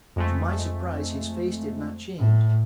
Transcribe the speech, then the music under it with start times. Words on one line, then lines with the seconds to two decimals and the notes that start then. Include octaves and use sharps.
To my surprise his face did not change.
0.16 F2 G#3 A3
2.18 A2